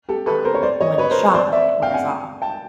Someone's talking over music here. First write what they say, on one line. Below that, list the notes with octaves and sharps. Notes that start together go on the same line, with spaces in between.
um, when the shock of it wears off
G4 A4
A4 B4
A#4 C5
C#5
C5 D5
C#5 D#5
B4 C#5
A#4 C5
C5 D5
D5 E5
F5 G5
F#5 G#5
G5 A5